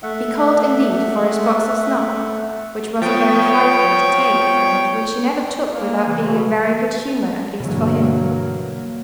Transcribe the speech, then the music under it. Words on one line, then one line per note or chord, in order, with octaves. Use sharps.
He called indeed for his box of snuff, which was a very high thing to take; and which he never took without being in very good humour, at least for him.
A3 E5 F#5
F3 B3 C#5 G5
A#3
C#3 E3
B2
G2 B2 D3 E3 F#3 A#3